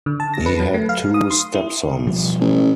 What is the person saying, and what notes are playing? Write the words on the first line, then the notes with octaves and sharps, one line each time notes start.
He had two stepsons.
D3
A5
A#6
B4
F#3
A3
F5
D#6
C6
E4
B2 F3 G3
A1